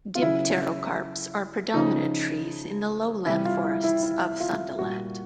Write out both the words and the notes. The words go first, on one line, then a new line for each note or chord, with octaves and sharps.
Dipterocarps are predominant trees in the lowland forests of Sundaland.
F4
C#3 F#3 E4
C#3 F3 D#4
C3 E3 G3 E4
F4
E4
E4
E4
F4
A#2 G3 F#4